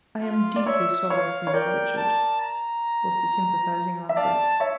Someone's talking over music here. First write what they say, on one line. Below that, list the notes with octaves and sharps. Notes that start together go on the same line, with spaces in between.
"I am deeply sorry for you, Richard," was the sympathizing answer.
F4
D5
C#5 E5
C#5 F5
C#5
A#4 D5 G5
A5
A#5
E5
D5 F5 A5
C#5 E5